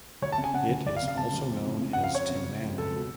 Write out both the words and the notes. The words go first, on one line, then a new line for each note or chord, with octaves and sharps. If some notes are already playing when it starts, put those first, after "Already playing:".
It also known as Timanan.
D2 C#5
A5
C#3
G#5
C#3 F#5
D2
D2 D5
F5
C#3
F5
C#3 A5
D2
F2
C#3
C#3
F#5
F2
F5
F2 C#5
C#3
C#3
F2
C#2 A4
B2